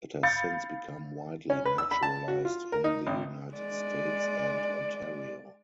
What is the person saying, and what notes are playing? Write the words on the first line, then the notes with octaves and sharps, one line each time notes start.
It has since become widely naturalized in the United States and Ontario.
F5 B5 G6 A6 C#7
C#4
B4
E6
B5
A5
F#4
F4
A#4
D#4
G#1
G#3 D5